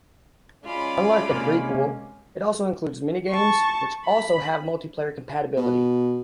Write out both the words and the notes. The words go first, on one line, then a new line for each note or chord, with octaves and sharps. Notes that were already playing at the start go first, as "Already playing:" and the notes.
Unlike the prequel, it also includes mini-games, which also have multiplayer compatibility.
G#3 C#4 F4 D5 B5
C3 A#3
A5 C#6
B5
B2